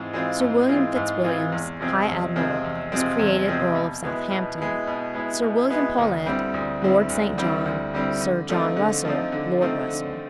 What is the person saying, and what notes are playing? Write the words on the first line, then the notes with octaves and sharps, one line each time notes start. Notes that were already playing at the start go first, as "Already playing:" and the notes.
Sir William Fitz-Williams, high admiral, was created earl of Southampton; Sir William Paulet, Lord St. John; Sir John Russel, Lord Russel.
Already playing: G#2 E3 G#3 C4 F4
E3 G#3 C4 F4
G#2
E3 G#3 C4 F4
G#2
E3 G#3 C4 F4
E2
C3 F3 G#3 C4
E2
C3 F3 G#3 C4
E2
C3 F3 G#3 C4
E2
C3 F3 G#3 C4
B2
G#3 B3 E4
B2
G#3 B3 E4
B2
G#3 B3 E4
B2
G#3 B3 E4
D2
D3 G3 C4 E4
D2
D3 G3 C4 E4
D2
D3 G3 C4 E4
D2
D3 G3 C4 E4
D3
F3 A3 C4 D#4
D3
F3 A3 C4 D#4
D3
F3 A3 C4 D#4
D3